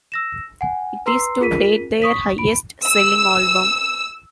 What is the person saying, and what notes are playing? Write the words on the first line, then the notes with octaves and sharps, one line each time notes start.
It is to date their highest-selling album.
E6 A#6 E7
F#5 G#5
B4 A#5 C6 E6 C7
F4 G#4 A#4 B6 D#7
C#6 D#6 B6
B5 D7
E6